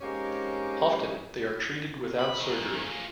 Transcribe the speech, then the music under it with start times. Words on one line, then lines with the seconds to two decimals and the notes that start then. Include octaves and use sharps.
Often, they are treated without surgery.
0.01 G#3 A#3 C4 C#4 D#4 G4
2.19 B5
2.40 E2 D#3
2.84 F4 G#4